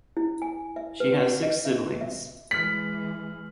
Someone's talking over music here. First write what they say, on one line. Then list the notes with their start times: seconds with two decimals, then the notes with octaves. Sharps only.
She has six siblings.
0.17 E4
0.42 G#5
0.76 E5
1.00 B4
1.18 F#5
1.42 D#5
1.65 E5
2.01 E5
2.51 E3 G#3 F6 B6 F#7